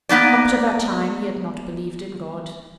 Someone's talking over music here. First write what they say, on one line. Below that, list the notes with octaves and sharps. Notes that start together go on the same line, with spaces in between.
Up to that time, he had not believed in God.
A#3 B3 D#4 D5